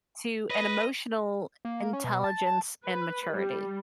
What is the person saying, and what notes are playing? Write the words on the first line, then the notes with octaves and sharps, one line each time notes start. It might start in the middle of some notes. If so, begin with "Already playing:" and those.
to an emotional intelligence and maturity.
B4 D#5
A#3
C#4
B2
A5
A5
B4
G3